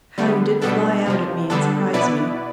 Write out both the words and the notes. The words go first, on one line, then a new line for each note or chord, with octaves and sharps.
How you did fly out at me and surprise me.
D3 G3 B3
B2 G3 B3 D4 A4
F2 C3 F3
D3 G3 B3 D4 A4
B2 B3 E4 B4 D5